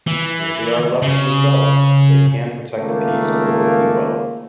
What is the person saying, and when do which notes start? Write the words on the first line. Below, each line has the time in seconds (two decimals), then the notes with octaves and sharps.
If they are left to themselves, they can protect the peace perfectly well.
0.07 E3
1.02 C#3
2.76 C#2 D#3 A3 A#3